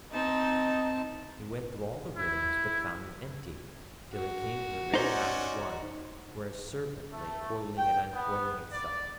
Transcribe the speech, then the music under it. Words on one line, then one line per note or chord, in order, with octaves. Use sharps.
He went through all the rooms, but found them empty, till he came to the very last one, where a Serpent lay coiling and uncoiling itself.
C4 D#4 A5
E4
F#4
C#4 D#4 C5 D5 F#5
A3
G5
B3
D5